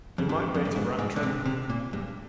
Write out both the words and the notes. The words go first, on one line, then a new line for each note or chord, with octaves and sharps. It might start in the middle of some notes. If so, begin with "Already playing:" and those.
It might bait a rat-trap.
F2
G2
F2
G2
G#2
G#2
D3
C3
C3
A#2
G2